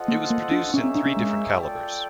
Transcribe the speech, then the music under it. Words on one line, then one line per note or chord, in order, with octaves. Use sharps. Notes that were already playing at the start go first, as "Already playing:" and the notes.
It was produced in three different calibers.
Already playing: F4 A4 C5 D#5 F#5
A#3
A#3
D4
A#3 C#4 D#4 G#4 C#5 E5
C4
D4
C#4
G#3
F4 A4 D5 G5